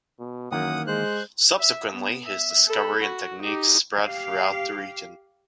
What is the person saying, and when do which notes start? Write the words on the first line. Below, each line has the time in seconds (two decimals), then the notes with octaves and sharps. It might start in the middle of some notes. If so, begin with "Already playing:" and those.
Subsequently, his discovery and techniques spread throughout the region.
0.19 B2
0.52 F#2 D#3 E3 A#3 F#5 D#6
0.87 G#3 C5 F#6
1.58 E5
1.93 B3
2.25 E5
2.68 A4 B5
3.03 F#4
3.42 D#4 G4
3.96 G4 F5